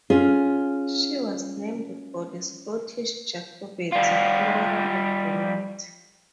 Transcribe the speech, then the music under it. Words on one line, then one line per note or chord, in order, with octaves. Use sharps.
She was named for the Scottish Jacobite Flora MacDonald.
C#4 F4 G#4
G3 F4